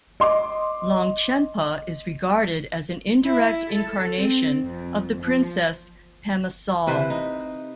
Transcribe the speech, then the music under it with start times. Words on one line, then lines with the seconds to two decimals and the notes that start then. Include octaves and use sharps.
Longchenpa is regarded as an indirect incarnation of the princess Pema Sal.
0.20 D#5 C6 D6
3.24 E4
3.70 A4
4.17 C4
4.61 F2
5.24 F3
6.87 C3 E3 B4 C5
7.10 D#4